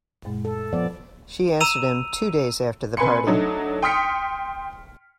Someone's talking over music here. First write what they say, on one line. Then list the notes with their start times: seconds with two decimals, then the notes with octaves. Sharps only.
She answered him two days after the party.
0.25 F#2 A#2 G#3
0.45 A4
0.73 F3 B3 D5
1.61 A#5 E6 D#7 F7
2.97 C3 B4 G#5 B5 C6 C#7
3.27 F#3 A3 D4 D#4
3.82 G5 C6 D#6 F6 B6 C#7